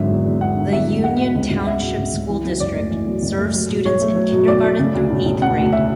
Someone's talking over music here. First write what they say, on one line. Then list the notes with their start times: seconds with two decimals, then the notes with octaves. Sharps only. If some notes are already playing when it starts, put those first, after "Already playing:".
The Union Township School District serves students in kindergarten through eighth grade.
Already playing: G#1 D3 F#3 E5
0.10 E2
0.25 E2
0.41 F#3 F#5
0.57 D3
0.72 E2 E5
0.88 E2
1.04 G#3 F#5
1.20 B2
1.35 C#2
1.51 C#2
1.66 G#3 E5
1.82 B2
1.98 C#2
2.14 C#2
2.29 E3
2.45 F#2
2.60 F#1 D5
2.76 A3
2.91 E3
3.07 F#2
3.22 F#1
3.38 A3
3.54 F#3
3.70 B2
3.85 B1 C#5
4.01 A3
4.16 F#3
4.32 B2
4.48 B1 D5
4.63 A3
4.79 C#3
4.95 D2
5.11 E1
5.26 E1
5.42 C#3 F#5
5.58 D2
5.73 E5